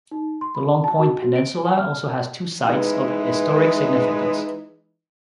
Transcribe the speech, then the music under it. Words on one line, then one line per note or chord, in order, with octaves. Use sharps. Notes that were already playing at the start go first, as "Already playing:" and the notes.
The Long Point peninsula also has two sites of historic significance.
D#4
C6
B5
A5
F#4
F#4
D7
G#5
F6
E3 G#3 D#4 E4 B4